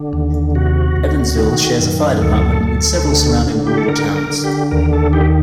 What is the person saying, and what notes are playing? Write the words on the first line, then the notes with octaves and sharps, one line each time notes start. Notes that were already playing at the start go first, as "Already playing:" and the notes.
Evansville shares a fire department with several surrounding rural towns.
Already playing: D3
D#2
C3 F#4
D2
D#3
F#2
D2 A4
D2
D3
D3
G4
A4
D3 A#4
A#4
D3
G4
D#2 A#4
A4
D#3 G4